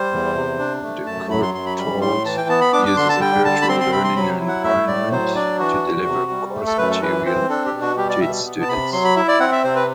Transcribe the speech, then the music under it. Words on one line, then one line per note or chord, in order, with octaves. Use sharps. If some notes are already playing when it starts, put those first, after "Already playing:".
The Courtauld uses a virtual learning environment to deliver course material to its students.
Already playing: G3 C5
E2
C3
D4
A3
F#2 A5
F#3 B5
C6
F#2 C6
B5
G3 B5
A2 C6
E3 A5
G5
B3 A5
B5
D4 D6
D6
D3 C6
A5
G3 G5
D3 A5
B5
C4 C6
C6
C3 B5
C6
F#3 B5
E4
F#5
A3 E5
A2 D5
F#3 C5
D4 D5
E3 F#4
E2
C3
G3
A3
A4
F#2 B4
A4
E3 B4
C4 C5
D4 A4
G4
B2
F#4
G3 G4
D5
B2 E5
B3
A5
C3 B5
F#3 C6
B5
E4 E5
D5
C4 F#5
E5
C3 C5
B4